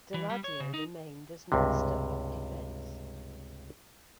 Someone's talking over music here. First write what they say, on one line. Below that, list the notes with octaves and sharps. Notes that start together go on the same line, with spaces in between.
Daladier remained as Minister of Defence.
E3
G3
C#5
C#3
D#4
C#2 G2 C3